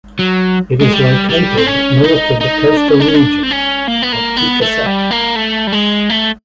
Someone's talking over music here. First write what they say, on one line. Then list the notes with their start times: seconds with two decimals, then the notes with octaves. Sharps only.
It is located north of the coastal region of Tiquisate.
0.19 F#3
0.81 G#3
0.93 G3
1.30 G3
1.58 C4
1.67 C#4
2.04 D#4
2.41 D#4
2.77 D4
2.89 C#4
3.00 D4
3.09 C#4
3.14 D4
3.43 C4
3.51 C#4
3.88 A#3
4.03 B3
4.13 A#3
4.37 B3
4.62 A3
4.87 G3
5.11 A#3
5.36 A3
5.67 G3
5.72 G#3
6.10 A3